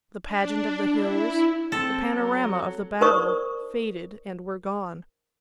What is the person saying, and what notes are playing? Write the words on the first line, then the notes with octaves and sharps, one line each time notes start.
The pageant of the hills, the panorama of the battle, faded and were gone.
D4
E4
C4 A4
F#3
D#4 A#4 C5 D5 C#6 D#6